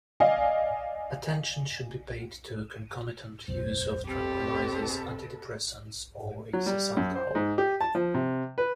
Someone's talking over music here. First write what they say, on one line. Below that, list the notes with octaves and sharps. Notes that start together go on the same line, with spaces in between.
Attention should be paid to concomitant use with tranquillizers, antidepressants or excess alcohol.
D5 D#5 F5 G#5
E1 B1 F#2 C5
B2 C4 G4 A4 B4
F#3
G3
F#2
C5
G#2
G4
A5
F3
C3
B4